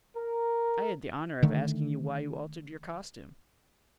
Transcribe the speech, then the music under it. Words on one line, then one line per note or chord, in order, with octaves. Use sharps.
I had the honor of asking you why you altered your costume.
A#4
D3 D#3 A3